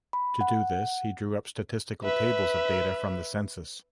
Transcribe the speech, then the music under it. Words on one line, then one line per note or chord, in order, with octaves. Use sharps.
To do this, he drew up statistical tables of data from the census.
B5
F#5
B4 E5